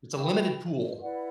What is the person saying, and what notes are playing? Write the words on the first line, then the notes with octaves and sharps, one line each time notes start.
It's a limited pool.
E4 B4 G5 B5
E4 B4 D5 F#5